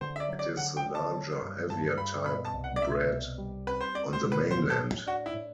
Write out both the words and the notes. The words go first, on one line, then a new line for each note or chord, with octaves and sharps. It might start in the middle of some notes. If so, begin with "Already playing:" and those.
It is the larger, heavier type bred on the mainland.
D3 C5
E5
D5
F#3
D5
D3 F#5
G5
D3
A5
F#3
G2
G2 A5
G2 B5
B2 B5
A5
C2
F#5
D5
B2 E5
C2
G3
C4 B4
C5
C4 D5
C5
B2
B4
A2 C5
A4
A2
D4 F#4
E4
A2